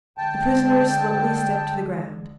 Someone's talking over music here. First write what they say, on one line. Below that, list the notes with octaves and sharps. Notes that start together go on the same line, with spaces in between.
The prisoner slowly stepped to the ground.
D3 G#3 G5 A5